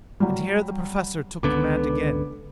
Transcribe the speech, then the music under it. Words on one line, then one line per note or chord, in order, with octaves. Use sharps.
And here the Professor took command again.
F#3 G3
C#2 D3 B3 D6